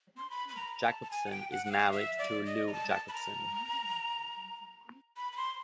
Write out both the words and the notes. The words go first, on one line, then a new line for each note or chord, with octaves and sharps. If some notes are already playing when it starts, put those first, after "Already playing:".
Jacobson is married to Lou Jacobson.
C6
B5
B5
A#5
A5
A5
G#5
F#5
G5
F#5
F#5
F5
E5
D5
D#5
A#5
A5
B5
A#5
B5
B5
C6